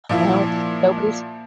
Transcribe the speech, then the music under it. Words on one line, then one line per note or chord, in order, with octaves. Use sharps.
No nobody's
A#2 F3 E4